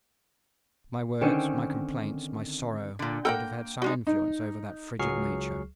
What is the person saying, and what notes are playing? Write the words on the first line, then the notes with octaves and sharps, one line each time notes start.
My words, my complaints, my sorrow would have had some influence over that frigid nature.
D3 D#3 C4 C#4
A#2 D3
A#3 A4 A#4 F#5 G5
G3 G#3 D#4 F#4
D#4
C#2 F#3 G#4 C#6 F6 C7